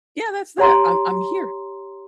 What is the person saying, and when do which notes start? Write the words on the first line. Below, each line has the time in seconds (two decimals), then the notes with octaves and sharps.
yeah, that's that. I'm I'm here,
0.58 G4 C#5 A#5 C6